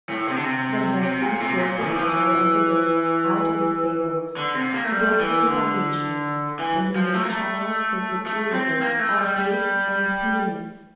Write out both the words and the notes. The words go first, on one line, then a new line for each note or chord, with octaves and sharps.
Then Heracles drove the cattle and the goats out of the stables; he broke through the foundations and he made channels for the two rivers Alpheus and Peneius.
A2
C3
D3
C3
C3
A#2
C3
A#2
E3
F3
E3
E3
D3
C3
A#3
A3
G3
E3
D3
E3
F3
A3
A#3
A3
A3
C4
A#3
A3
G3
G3